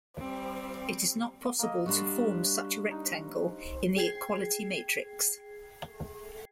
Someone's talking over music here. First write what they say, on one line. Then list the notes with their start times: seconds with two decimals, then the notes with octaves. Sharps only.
It is not possible to form such a rectangle in the equality matrix.
0.18 G3 C4
1.59 A#3 D#5
1.86 G3 D4 F#4 C6
2.91 D#4
3.96 G#4 G5 G#6 C7